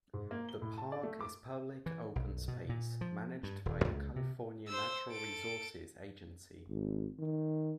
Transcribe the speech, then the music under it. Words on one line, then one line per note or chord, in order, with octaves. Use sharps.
The park is public open space, managed by the California Natural Resources Agency.
G#2
A#3
G7
A2
A5
D5
A3
D6
E3
B1
B2
A#2
F3
G2
D#1
C#2
C3
C5 E6
A4 D7
G#1
D#3